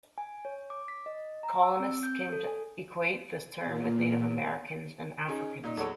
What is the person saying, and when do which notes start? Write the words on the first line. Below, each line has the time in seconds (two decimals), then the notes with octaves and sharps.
Colonists came to equate this term with Native Americans and Africans.
0.18 G#5
0.45 C#5
0.70 D6
0.88 B6
1.06 D#5
1.43 A#5
1.62 E6
1.80 C4
2.03 G6
2.33 A4
2.47 G#5
3.65 A#2
5.28 C#4 D#4 G#4
5.63 A#2 D#4
5.77 E2 F#3 A4 C#5